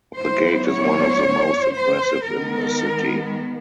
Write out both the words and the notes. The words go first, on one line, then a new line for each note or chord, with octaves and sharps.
The gate is one of the most impressive in the city.
F#3 B3 E4 C5
C#5
C5
D#3 G#3 B3 A#4